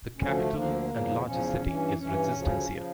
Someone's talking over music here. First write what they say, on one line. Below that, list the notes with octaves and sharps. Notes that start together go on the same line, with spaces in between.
The capital, and largest city, is Resistencia.
D2 D3 F3 C#4
A3
D2 D3 F3 A#3
E2 C#3 F3
A#3
E2 C#3 F3 C#4
G2 E3
G2 E3 C#4
D2 C#3 F3
C#3 F3